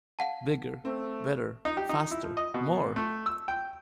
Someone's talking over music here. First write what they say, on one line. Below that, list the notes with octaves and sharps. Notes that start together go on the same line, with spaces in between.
Bigger, Better, Faster, More!
F5 F#5 A5
A3 C4
D#4
G4
D#4
E4
F3
D#5
B2
A3
E6
G5